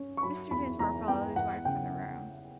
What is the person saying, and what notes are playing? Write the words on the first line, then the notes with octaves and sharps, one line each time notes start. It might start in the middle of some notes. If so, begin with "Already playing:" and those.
Mr. Dinsmore followed his wife from the room.
Already playing: C#4
C#6
F#3 B5
E2 B5
E2 A#5
B3 G5
E2 F#5
C#3 G5